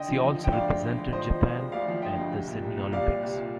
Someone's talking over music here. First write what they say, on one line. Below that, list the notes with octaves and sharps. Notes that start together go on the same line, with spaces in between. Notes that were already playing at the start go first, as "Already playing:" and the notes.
She also represented Japan at the Sydney Olympics.
Already playing: D3 D#5 G5
F3
F3
D3
G5
D2 D5 F5
G#3
D3
D3
F3 C5 D#5
F3
F3
G#3
D2 D5 F5
F3
D3 D#5 G5
D2
C2
A#2
C2
C2
C2 D5 F5
C2
C2
A#2